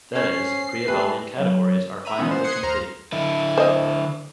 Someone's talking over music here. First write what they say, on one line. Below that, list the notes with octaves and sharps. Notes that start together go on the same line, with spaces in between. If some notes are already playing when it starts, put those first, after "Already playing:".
That is, pre-abelian categories are finitely complete.
C#4 C5 C#5 C7
A3 G4 B4 G#5
F#3
E5 A#5 B5 D#7
E3 F3 G#3 B3 C#4 D#4
C5
C6 D#6 F#6 G#6 C7 C#7
D#2 C5 A#5 C6 F6
D3 E4
C5 D#5